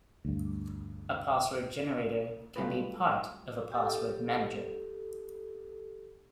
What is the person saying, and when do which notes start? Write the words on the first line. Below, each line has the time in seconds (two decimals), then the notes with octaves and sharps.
A password generator can be part of a password manager.
0.25 D2 G2
2.56 F#3 G3 A3 F4 G4 B4
3.72 G4 A4